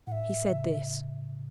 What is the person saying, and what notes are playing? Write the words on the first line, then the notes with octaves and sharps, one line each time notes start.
He said this.
A2 E5 F#5
C#3